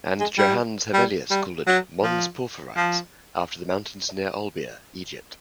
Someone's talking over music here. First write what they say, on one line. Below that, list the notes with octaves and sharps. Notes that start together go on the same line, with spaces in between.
And Johannes Hevelius called it "Mons Porphyrites" after the mountains near Olbia, Egypt.
G#3
G3
G3
G3
F#3
F3
F3